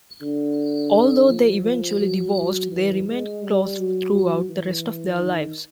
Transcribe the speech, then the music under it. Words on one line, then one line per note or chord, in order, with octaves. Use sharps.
Although they eventually divorced, they remained close throughout the rest of their lives.
D3
F3
F3
F#3
F#3
E3
G#3
G3
F#3
F#3
E3
D#3